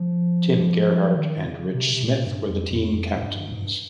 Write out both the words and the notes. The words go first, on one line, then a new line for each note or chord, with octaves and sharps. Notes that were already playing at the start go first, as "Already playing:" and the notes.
Tim Gerhart and Rich Smith were the team captains.
Already playing: F3
D#3
C#3
C3
C3
A#2
G2
F2
F2
F2
G#2
G2
G#2
G2